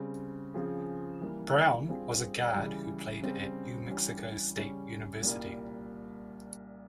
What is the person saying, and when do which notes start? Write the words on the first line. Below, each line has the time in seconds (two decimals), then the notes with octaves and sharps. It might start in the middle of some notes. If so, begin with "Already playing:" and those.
Brown was a guard who played at New Mexico State University.
Already playing: C#3 G3 C4
0.54 C#3 F3 C4 F4 G#4
1.21 E3 G3 A#3
1.88 G2 G3 C4 F4 G#4
2.54 C#3 E3 G3
3.22 C#3 G3 C4
3.88 G2 E3 G3 C#4 G4
4.56 C#3 G3 C#4
5.23 C2 A#2 G3 A#3